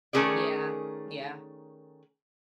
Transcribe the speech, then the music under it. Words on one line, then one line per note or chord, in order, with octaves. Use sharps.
Yeah, yeah.
D#3 A3 C#4 G#4 A#4 D5